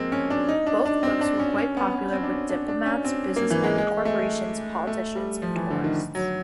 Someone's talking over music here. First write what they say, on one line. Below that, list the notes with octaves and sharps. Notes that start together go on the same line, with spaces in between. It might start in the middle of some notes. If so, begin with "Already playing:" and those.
Both books were quite popular with diplomats, businessmen, corporations, politicians and tourists.
Already playing: F3 G#3 A#3 C4
C#4
D4
D#4
D4
D4
C4
D4
C#4
C#4
B3
B3
C4
D4
C#4
D4
D4
C#4
C4
A#3
E3
G#3
G#3
A3
A3
G3
F3
E3
D3
D#3
F#3